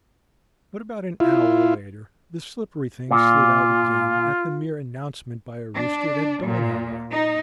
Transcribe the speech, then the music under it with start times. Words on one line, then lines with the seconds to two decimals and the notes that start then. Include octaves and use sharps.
But about an hour later the slippery thing slid out again at the mere announcement by a rooster that dawn had arrived.
1.20 E4 F4
3.11 A#2 F4
5.75 D4
6.46 A#2
7.11 D#4